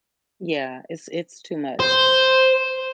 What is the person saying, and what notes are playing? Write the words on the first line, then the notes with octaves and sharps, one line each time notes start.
Yeah, it's it's too much.
C5